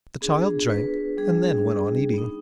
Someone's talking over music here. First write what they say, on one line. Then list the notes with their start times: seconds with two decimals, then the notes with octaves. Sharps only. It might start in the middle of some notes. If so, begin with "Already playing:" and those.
The child drank, and then went on eating.
0.21 B3 D4 F4 G#4
0.70 B4
1.17 G3 B3 D4 G#4
2.14 B3 D#4